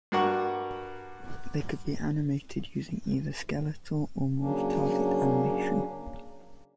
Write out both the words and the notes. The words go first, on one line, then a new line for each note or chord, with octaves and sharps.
They could be animated using either skeletal or morph target animation.
G2 D4 F#4 A#4 F#5 C#6
C#3 F#3 A#3 C#4 D4